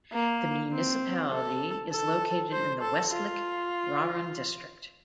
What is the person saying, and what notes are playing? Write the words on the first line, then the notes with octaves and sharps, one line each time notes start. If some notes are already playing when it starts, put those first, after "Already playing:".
The municipality is located in the Westlich Raron district.
A#3
C4
A4
A4
C5
A4
F4